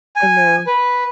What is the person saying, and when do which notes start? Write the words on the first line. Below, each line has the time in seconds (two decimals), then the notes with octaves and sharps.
I know.
0.16 G#5
0.67 B4